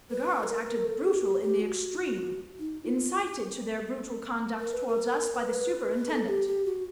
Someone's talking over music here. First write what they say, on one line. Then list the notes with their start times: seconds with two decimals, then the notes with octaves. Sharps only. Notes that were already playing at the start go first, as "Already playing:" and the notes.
The guards acted brutal in the extreme, incited to their brutal conduct towards us, . . , by the superintendent.
0.10 B4
0.43 A4
0.48 A#4
0.85 A4
1.04 G#4
1.16 F#4
1.22 G4
1.41 G4
1.60 F#4
2.59 D#4
2.84 F4
4.59 A#4
4.73 B4
4.87 A#4
5.35 B4
6.10 A4
6.29 G4
6.47 G4
6.65 F#4